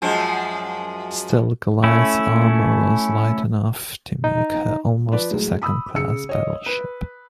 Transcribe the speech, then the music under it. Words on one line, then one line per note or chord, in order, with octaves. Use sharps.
Still, "Goliath"s armour was light enough to make her almost a second-class battleship.
F#2 F3 G#3
A3 C#4 E4
D#4
F3 B4 D5
A2 F#3 G#3
B5 D#6 E6
C#3 E6 C#7
C#5 D#5
B4